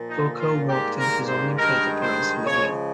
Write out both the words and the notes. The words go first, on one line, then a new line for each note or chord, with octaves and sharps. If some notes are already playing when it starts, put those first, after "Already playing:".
Furcal walked in his only plate appearance in the game.
Already playing: A#2 F3 A#3
D#4
F4
G#2 G3 A#3 G4
A#4
C5
G2 D#3 G#3 A#4
C5
C#3 F3 G#3 C#5